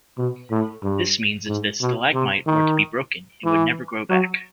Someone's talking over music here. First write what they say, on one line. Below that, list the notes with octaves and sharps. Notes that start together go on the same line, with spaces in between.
This means if the stalagmite were to be broken it would never grow back.
B2
A2
G2
G#2
B2
C3
D#3
E3
F#3